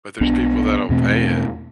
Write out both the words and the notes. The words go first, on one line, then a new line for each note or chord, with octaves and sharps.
But there's people that'll pay it,
B1 B2 B3 D4
E2 B2 A3 C4